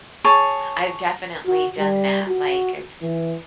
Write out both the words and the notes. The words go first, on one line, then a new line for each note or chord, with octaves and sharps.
I've definitely done that, like, I've
G#4 C#5 A5
F#4
G3
F#4
E3